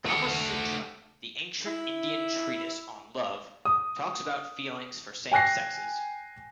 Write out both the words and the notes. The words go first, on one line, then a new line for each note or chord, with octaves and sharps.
Kamasutra, the ancient Indian treatise on love talks about feelings for same sexes.
A3 F#5
E4
D#6
G5 G#5 F#6 A#6 C7